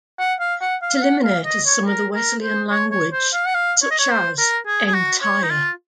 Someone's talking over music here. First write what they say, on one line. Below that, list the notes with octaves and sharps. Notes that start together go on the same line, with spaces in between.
It eliminated some of the Wesleyan language, such as "entire".
F#5
F5
F#5
F5
F5
F#5
F5
D#5
C#5
A#4
A#4
C5
C#5
C#5
C5
F5
F#5
F5
C#5
D#5
C#5
C5
A#4
G#4
G#4
F#4
C#5
D#4
F4